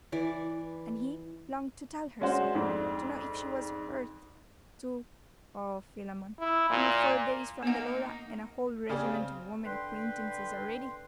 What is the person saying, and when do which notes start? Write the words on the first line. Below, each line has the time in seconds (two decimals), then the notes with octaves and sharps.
And he longed to tell her so--to know if she was hurt--to--Oh, Philammon! only four days from the Laura, and a whole regiment of women acquaintances already!
0.12 E3 D5
2.21 G#3 C#4 D4 F#4 C5
2.55 F2 G#2 D4
6.40 E4
6.70 A#2
7.63 A#3 B3 D#4 F#5
8.89 C#3 G4 G#4 D5
9.04 C4
9.65 D3 B4 G5 C6